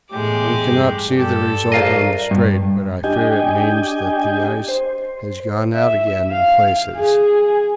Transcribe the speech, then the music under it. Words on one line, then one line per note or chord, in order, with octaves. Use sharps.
One cannot see the result on the Strait, but I fear it means that the ice has gone out again in places.
E2 A2 G#3 G4 D6
G2
G2 G4 A4
A#1 G2 F4 D#5 A#5
G2
D4 G4 D#5 G5 G#5
C5
E5
F5
G#4